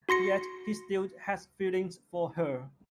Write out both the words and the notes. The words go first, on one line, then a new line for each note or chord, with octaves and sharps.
Yet, he still has feelings for her.
F#4 C6 A#6 C#7